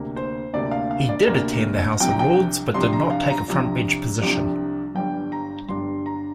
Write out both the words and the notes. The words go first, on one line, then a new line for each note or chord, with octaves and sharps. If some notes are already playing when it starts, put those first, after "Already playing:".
He did attend the House of Lords but did not take a front-bench position.
Already playing: D2 C3 A#3 D4
C5
D2 C3 A#3 D4 D5
F5
F5
D5
D2 C3 A#3 D4 A#4
C2 C3 F3 D4 G5
A#5
G5
C2 C3 F3 D4 C6
A#5
F5
A#5
C2 C3 F3 D4
C2 C3 F3 D4
G1 G2 G3 D4 G5
A#5
G1 G2 G3 D4 C6
A#5